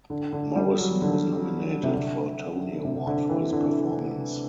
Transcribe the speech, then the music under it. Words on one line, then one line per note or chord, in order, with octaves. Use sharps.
Morrison was nominated for a Tony Award for his performance.
D3
D3
G3
F#3
D3
C3
D3
C3
D3
E3
D3